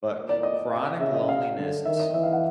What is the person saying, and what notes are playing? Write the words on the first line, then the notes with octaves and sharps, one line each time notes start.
But chronic loneliness
A#2
D5
D#5
C3
C#3 E5
D#5
C#3 F5
D3
D#3 E5
D#5
E3 E5
F5
F#5